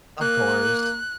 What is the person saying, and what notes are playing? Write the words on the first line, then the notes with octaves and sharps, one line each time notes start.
Of course.
A#3 F#6